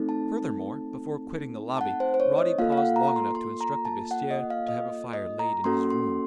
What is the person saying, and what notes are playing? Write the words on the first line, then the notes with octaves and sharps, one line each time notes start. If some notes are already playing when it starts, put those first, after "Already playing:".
Furthermore, before quitting the lobby, Roddy paused long enough to instruct the vestiaire to have a fire laid in his room.
Already playing: A3 C4 D#4 A4
A5
A5
F#5
C5
C5
C#5
D#5
A#3 F4 A4 F5
F5
F#5
A#5
C6
C6
A#5
A5
F#5
D#5
F5
D#5
D#5
A#5
A#3 C#4 F#4 A4 C6
C6